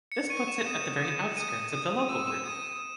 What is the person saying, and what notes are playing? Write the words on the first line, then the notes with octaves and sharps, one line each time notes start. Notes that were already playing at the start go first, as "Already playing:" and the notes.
This puts it at the very outskirts of the Local Group.
C#7
C#6 D#7
E7
D#6 E7
D#6
D#6 D#7
D#6
E6 D#7
E7
D#6 D#7